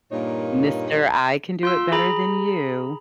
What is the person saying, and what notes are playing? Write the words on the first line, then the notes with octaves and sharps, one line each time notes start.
Mister, "I can do it better than you."
G2 A#2 A#3 D#4 C#5
F4 C6 E6
G#4 A#5 B5